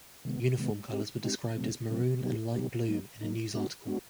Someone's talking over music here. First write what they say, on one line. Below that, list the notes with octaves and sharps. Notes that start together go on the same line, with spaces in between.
Uniform colors were described as "maroon and light blue" in a news article.
C3 D#3 G#3 B3
C3 D#3 G#3 B3
G#3 C4 D#4 G4
G#3 C4 D#4 G4
B2 F#3 A3 C4
B2 F#3 A3 C4
B2 F#3 B3 D#4 G4
B2 F#3 B3 D#4 G4
F#3 A#3 D#4
F#3 A#3 D#4
G#3 B3 D4 F#4
G#3 B3 D4 F#4